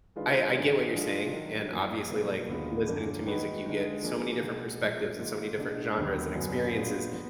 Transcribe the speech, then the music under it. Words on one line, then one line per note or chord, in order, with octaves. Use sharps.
I I get what you're saying, and obviously, like, listening to music, you get so many different perspectives and so many different genres and experiences,
D#3 G#3 D4 F4 B4
G#2 D#3 G#3 D4 G#4
F3 G#3 D4 F4
D#3 F#3 D4 F#4 A#4
F#2 F3 A#3 D#4 A#4
B2 F#3 A#3 F4 B4
D#2 D3 G#3 B3 F4
F#2 D3 F3 A#3
D#3 G#3 D#4 F#4 B4
D3 G#3 D#4
F3 A#3 D4 G#4 B4
B2 G#3 B3 D#4 G#4
A#2 F3 G#3
G#2 D#3 A#3 F4
B2 G#3 D4
D#2 D3 F#3 B3
F#2 D3 F#3 B3 D4
A#2 G#3 B3 D4 F4
F3 B3